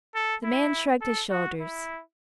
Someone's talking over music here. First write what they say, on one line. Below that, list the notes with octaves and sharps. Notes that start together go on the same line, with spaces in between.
The man shrugged his shoulders.
A4
E4
A4
F#4
E4